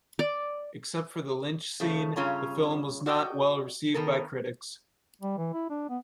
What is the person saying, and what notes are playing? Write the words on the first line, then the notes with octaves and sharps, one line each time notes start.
Except for the lynch scene, the film was not well received by critics.
D5
C#3 F3 A3
G2 C#3 C#4 F4 C#5 A#5
F#4 D5 D#5 G5
D#3 B3 A4 A#4
G3
E3
E4
D4
B3